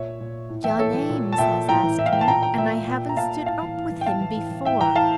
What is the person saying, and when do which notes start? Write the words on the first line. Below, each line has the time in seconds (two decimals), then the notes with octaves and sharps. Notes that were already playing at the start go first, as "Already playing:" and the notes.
John Eames has asked me, and I haven't stood up with him before.
Already playing: A#2 C#5 E5
0.20 A#2
0.49 A2
0.64 E3 E5 G5
0.79 A2 A4 C#5
0.94 E3
1.10 A#2
1.32 A5
1.38 A#2 E5 G5
1.68 A2 G5 A#5
1.83 E3
1.98 A2 E5
2.06 F5
2.13 E3 G5
2.21 A5
2.28 A#2 G5 A#5
2.42 G5 A#5
2.58 A#2 E5 G5
2.87 A#2
3.09 A#5
3.17 A#2 F5 A5
3.46 A2 F5 A5
3.62 E3
3.76 A2
3.92 E3
4.01 G5
4.06 A2 F5 A5
4.21 E3
4.36 A2
4.51 E3
4.65 A2 E5 G5
4.81 E3 G5 A#5
4.96 A2 F5 A5